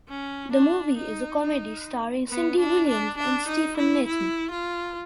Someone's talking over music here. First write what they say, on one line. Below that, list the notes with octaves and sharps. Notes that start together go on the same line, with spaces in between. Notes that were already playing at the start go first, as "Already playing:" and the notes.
The movie is a comedy starring Cindy Williams and Stephen Nathan.
C#4
D4
D#4
D#4
B3
D4
D4
D4
D#4
E4
E4
F4